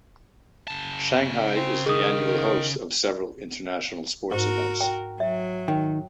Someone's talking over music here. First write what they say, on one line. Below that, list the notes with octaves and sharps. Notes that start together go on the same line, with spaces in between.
Shanghai is the annual host of several international sports events.
C#3 A5
C4
D#3 G#4 D#6
G#2 F#4 A#4
G5
F#3 E5
D#3 G5